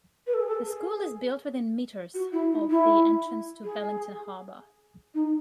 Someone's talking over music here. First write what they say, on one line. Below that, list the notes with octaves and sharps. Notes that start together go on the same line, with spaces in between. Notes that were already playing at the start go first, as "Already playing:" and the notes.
The school is built within metres of the entrance to Wellington Harbour.
B4
A4
G#4
A4
G#4
F#4
E4
D#4
E4
G#4
D#4